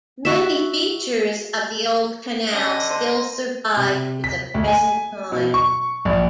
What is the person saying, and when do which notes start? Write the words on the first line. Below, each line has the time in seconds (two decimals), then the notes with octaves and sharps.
Many features of the old canal still survive to the present time.
0.25 F#4 E5
2.53 D3 C#4 D#5 D#6
2.90 C5 A5 C6
3.77 C3
4.24 B6
4.54 D2
4.68 G#5
5.32 B2
5.54 C#6
6.05 A#1